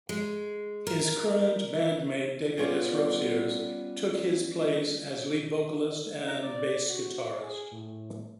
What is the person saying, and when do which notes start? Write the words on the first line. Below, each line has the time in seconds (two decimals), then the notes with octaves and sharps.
His current bandmate David Desrosiers took his place as lead vocalist and bass guitarist.
0.09 G#3
0.87 A#4
2.57 G3 B3 C#4 F4 D5
6.27 A#5
6.42 D5
6.89 F#4
7.43 G#4
7.71 A2